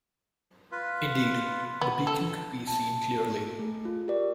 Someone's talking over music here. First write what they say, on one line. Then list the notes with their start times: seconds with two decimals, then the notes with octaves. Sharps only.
Indeed, the beacon could be seen clearly.
0.72 F4 B4
1.81 B3
2.07 A4
2.67 A5
3.59 A3 G#4
3.85 F4
4.08 G4 A#4 D5